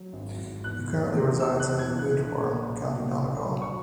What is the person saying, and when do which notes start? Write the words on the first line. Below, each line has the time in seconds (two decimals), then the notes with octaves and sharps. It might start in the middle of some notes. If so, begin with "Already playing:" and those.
He currently resides in Gweedore, County Donegal.
Already playing: F#3
0.13 G#1
0.38 G#2
0.63 E2 F#6
0.90 E2
1.15 E3
1.40 E2 E6
1.60 F#6
1.66 E3
1.79 G#6
1.92 C#3
1.99 F#6
2.17 A#1
2.44 A#2
2.69 A#1
2.94 A#2
3.20 A#1
3.46 F#3
3.62 C#6